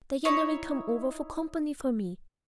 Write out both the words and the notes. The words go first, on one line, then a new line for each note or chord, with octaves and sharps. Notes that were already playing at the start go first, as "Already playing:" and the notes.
Diana will come over for company for me.
D#4 E4 C#5